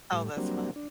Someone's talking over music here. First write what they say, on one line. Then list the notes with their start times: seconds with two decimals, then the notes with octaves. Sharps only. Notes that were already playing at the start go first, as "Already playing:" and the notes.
Oh, that's funny.
0.12 A2 G3
0.37 F#3 G3 A#3 C4 D4
0.76 D4